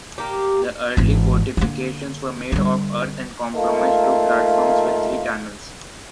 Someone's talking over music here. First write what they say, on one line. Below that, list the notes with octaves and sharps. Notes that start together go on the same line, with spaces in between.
The early fortifications were made of earth and comprised two platforms with three canons.
A#3 G4
G#1 E3
D3 A#3
D3 G3
A3 A#3 D#4 F4